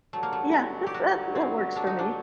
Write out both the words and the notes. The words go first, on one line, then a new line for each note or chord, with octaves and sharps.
Yeah. That's that that works for me.
G2 D3 F#3 A3
A#3
A3
G4
F#4
C4
D4
D#4
D4